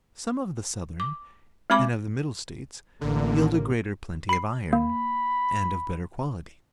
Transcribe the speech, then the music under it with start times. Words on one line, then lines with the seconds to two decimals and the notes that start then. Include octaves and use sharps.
Some of the Southern and of the Middle States yield a greater plenty of iron, and of better quality.
1.00 D6
1.70 G#3 C4 B5 D6
3.01 A1 D3 A#3
4.29 B5 C7
4.73 A#3 B5